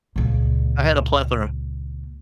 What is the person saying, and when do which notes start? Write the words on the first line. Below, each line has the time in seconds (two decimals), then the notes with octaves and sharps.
I had a plethora.
0.16 C#2 A#2